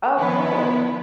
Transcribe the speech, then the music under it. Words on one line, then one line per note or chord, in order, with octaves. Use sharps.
Oh, cool.
D#3 F3 B3 E4 B4